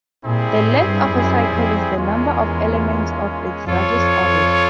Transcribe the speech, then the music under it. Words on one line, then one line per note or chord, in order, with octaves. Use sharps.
The "length" of a cycle is the number of elements of its largest orbit.
A#2 G3 C4 E4 G#4
A2
G2
F#2
F2
E2 G#3 C#4 F4 A#4
F2 F4 A4 C#5
F2
F2